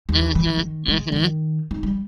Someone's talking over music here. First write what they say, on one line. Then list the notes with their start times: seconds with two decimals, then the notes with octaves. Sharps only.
Mhm, mhm.
0.09 D#2
0.35 E3
0.57 D#3
0.88 G#3
1.12 D#3
1.71 D#4
1.83 G3